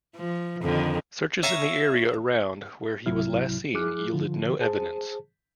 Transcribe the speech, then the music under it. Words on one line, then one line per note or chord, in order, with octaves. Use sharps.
Searches in the area around where he was last seen yielded no evidence.
F3
F2 D3 D#3
C#5 E5 F5 G#5 A#5
C2 G#2 C3 F#3 E4 F6
F3 E4 G#4 D6 F6 F#6
D3 F3 F4
G#4 C5 A5